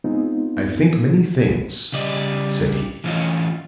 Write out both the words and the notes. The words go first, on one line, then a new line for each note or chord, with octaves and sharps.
"I think many things," said he.
G#3 B3 C4 D#4 F4
C#3 G3 D5 D#5
E3 A3 C#4 F4 C#5 D#5